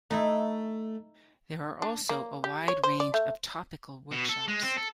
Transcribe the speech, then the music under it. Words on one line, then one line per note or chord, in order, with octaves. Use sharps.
There are also a wide range of topical workshops.
A3 D#4 E4
D4
A#3
G4
C#5
C5
D5
A3
B2
A4
G#3
C4
A4